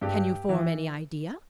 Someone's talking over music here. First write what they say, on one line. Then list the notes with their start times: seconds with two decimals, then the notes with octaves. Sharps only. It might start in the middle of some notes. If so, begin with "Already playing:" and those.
Can you form any idea?
0.01 G2 G4
0.49 E3